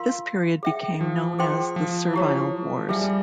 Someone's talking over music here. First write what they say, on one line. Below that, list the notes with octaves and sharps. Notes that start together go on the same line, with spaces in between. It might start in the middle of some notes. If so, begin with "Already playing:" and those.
This period became known as the Servile Wars.
Already playing: F4 A#4 F5 C6
G#4 E5 G5
F3
G#4 C5 G5 C6
F3
E4 G4 C#5
G3 G#4 E5 G#5
G3